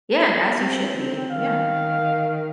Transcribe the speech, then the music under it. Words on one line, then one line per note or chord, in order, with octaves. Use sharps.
Yeah, and as you should be, yeah.
C4
D#3 F5